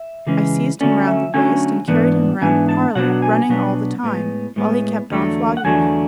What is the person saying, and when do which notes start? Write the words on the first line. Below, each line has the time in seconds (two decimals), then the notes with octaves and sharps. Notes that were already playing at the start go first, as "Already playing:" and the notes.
I seized him round the waist and carried him round the parlour, running all the time, while he kept on flogging me.
Already playing: E5
0.27 C#3 E3 G#3 C#4
0.81 D3 F#3 A3 C#4 D5
1.07 E5
1.34 D3 F#3 A3 C#4 G#5
1.88 G#2 E3 B3 D4
2.41 G#2 E3 B3 D4 G#5
2.69 A5
2.95 B2 F#3 B3 D4 F#5
3.12 F#5
3.22 G#5
3.49 B2 F#3 B3 D4
4.03 A2 G#3 B3
4.56 A2 G#3 B3
5.10 E2 D3 F#3 A3 D4
5.57 F#5
5.64 E2 D3 F#3 A3 D4 G#5